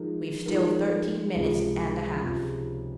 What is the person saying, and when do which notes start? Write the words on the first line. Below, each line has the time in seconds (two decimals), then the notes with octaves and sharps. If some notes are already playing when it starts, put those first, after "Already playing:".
"We've still thirteen minutes and a half."
Already playing: F3 G#3 D#4 A#4
0.46 F3 G#3 D#4 A#4
1.35 C#2 C3 F3 G#3
2.22 C#2 C3 F3 G#3